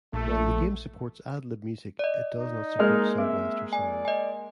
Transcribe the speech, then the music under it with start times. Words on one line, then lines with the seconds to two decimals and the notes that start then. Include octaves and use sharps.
While the game supports AdLib music, it does not support SoundBlaster sound.
0.13 A#1 A3
1.99 D5 D#5
2.38 D#4
2.79 G#3 A#3 F6
3.18 C4 E5
3.73 D5 G#5
4.05 D#5 G#5